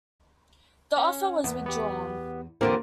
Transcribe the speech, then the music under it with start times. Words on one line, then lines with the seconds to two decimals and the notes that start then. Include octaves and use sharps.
The offer was withdrawn.
0.97 C#4
1.44 E2 B3
1.66 B3 G4
2.61 E2 D3 A#3 C4 F4 G4 A#4